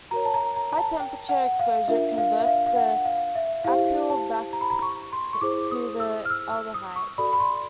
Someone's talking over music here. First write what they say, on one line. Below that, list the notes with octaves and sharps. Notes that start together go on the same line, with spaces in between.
High temperature exposure converts the acylal back to the aldehyde.
F#4 A#4 C#5 A#5
A5
A#5
A#5
A#5
A5
G5
F#5
F5
D4 F4 A#4 E5
F5
E5
F5
F5
F#5
F5
E5
E4 G4 C5 F5
A5
A#5
B5
A#5
C#6
C6
C#6
E4 G#4 C5 D6
D#6
E6
F6
E6
E6
D#6
C#6
F#4 A4 D5 B5
B5
C6